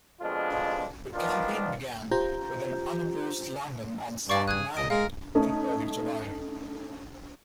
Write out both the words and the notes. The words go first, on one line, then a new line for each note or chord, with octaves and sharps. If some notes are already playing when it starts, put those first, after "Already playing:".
The campaign began with an unopposed landing on Staten Island in early July.
F2 B2 G#3 D4 F4
A#2 D#3 F3 B3 D4 F4
F4 G4 C5 A#5 G6
G2 D5 F5 C#6
G#4 F#6 G#6
C#2 D#5 D7
G#3 A#4 F5
A3 C#4 D#4